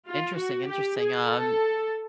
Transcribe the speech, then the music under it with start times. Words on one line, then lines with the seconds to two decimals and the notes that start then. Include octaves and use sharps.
Interesting, interesting, um,
0.08 F4
0.38 F#4
0.68 G4
0.99 G#4
1.28 A4